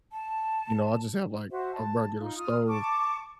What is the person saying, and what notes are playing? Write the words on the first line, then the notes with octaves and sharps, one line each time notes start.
you know, I just, have, like, a regular stove,
A5
F#4 C5 E5
A5
D#4 F4
F4 D#6 F6
A5 C#6 D6